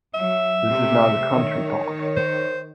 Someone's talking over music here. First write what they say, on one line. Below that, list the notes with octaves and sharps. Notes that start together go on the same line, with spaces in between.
This is now the Country Park.
F#3 E5
C3 A3 G4
D#3 C#5
C5